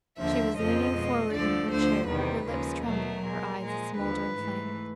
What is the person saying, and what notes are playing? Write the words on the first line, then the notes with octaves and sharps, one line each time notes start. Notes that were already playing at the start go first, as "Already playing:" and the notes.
She was leaning forward in her chair, her lips trembling, her eyes a smouldering flame.
D#2 D3 F3 E5
F2 C#3 F3 D#5
B2 G#3
D2 D3 F3 A3 D5
D2 D3 F3 C5
E2 C3 D#3 G3 B4
D#2 C#3 F3 G#3
B2 F#3 A3 A#4
B2 G#3
A#2 F3 G#3
D#2 D3 F3 B4
G#2 E3 A3